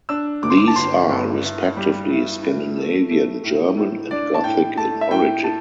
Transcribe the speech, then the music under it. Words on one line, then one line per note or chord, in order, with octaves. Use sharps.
These are, respectively, Scandinavian, German, and Gothic in origin.
D4 E6
G1 D6
C6
D6
A5
G1 C6
G2
E4
G3
E4
E4
A3
A3
A2
A2
D4 D5
A5
A2 G5
A3 A5
E5
A2 G5
A5